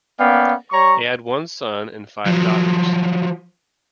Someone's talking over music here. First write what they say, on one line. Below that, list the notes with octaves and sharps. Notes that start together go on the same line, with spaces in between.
They had one son and five daughters.
A#3 B3 C#4 D5 F5 G5
G3 C#5 A#5 C#6
F3 F#3